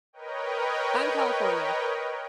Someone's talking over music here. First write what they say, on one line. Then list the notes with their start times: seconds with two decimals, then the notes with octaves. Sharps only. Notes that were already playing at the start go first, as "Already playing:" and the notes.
I'm California,
0.13 A#4 B4 C#5 D#5 G5